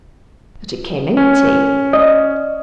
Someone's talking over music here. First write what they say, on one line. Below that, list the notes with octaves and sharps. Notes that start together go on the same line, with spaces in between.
But it came empty.
C#4
D5 D#5 D#6